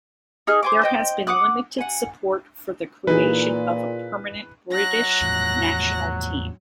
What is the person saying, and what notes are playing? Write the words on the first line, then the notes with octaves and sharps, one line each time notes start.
There has been limited support for the creation of a permanent British national team.
D#4 G#4 F6
C5 G#5 D6
C5 D#5 G5
F#5 D6 D#6 F#6
F#5 G#5
A#2 E3 D#4 G#4 B4
F#3 F#6 A#6
E2 A2 F3